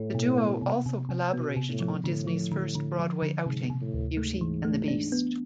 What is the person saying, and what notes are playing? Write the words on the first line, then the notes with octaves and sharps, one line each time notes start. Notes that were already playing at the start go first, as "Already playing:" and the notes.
The duo also collaborated on Disney's first Broadway outing: "Beauty and the Beast".
Already playing: A2 E4
B2
B3
C3
C3
C3
B2 B3
C3
A2
F3
A2 D3
F3
D3
D3
F3
D3
G#2 C3
C3
A2
D2
G#2 A3
E3
A3
D4
B3